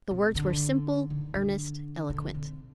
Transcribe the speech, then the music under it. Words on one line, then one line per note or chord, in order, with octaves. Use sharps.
The words were simple, earnest, eloquent.
C3
D3
D#3
D3
D3
C3